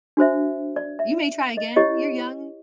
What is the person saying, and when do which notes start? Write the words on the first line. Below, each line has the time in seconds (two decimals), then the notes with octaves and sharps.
You may try again, you're young.
0.17 D4 F#4 C5 E5
0.76 D5
0.99 E5
1.57 D#5
1.76 E4 G4 C#5 D#5